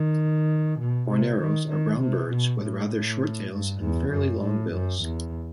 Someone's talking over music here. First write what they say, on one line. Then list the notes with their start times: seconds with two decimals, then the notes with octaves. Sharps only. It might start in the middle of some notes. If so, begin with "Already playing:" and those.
Horneros are brown birds with rather short tails and fairly long bills.
Already playing: D#3
0.79 B2
1.09 C3
1.39 D#3
1.69 D#3
2.00 C3
2.29 B2
2.60 A2
3.51 G2
3.81 E2
4.11 F#2
4.41 A2
4.72 F#2
5.02 E2